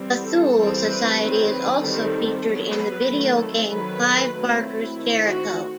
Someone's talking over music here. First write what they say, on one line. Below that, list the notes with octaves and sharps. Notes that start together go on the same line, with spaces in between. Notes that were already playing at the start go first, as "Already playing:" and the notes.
The Thule Society is also featured in the video game "Clive Barker's Jericho".
Already playing: E3 G3 C4
A4
E3 G3 C4
B4
D#3 F#3 C4
B4
D#3 G3 C4 A4
F#3 B3
B4
D#3 F#3 A3 C4
A4
D#3 F#3 A3 B4
F#3 A3 C4
E4
D#3 A3 C4
F#4